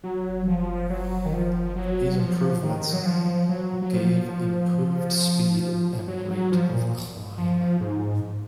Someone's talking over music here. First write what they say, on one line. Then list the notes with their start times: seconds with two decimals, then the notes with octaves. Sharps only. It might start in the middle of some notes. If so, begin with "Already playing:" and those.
These improvements gave improved speed and rate of climb.
0.04 F#3
0.48 F3
0.90 F#3
1.26 D#3
1.33 F3
1.76 F#3
2.19 F3
2.62 D#3
2.93 F#3
3.06 F3
3.49 F#3
3.82 F#3
3.93 F3
6.08 F#3
6.30 F#3
6.52 F3
6.73 A#2
7.38 F3
7.81 G#2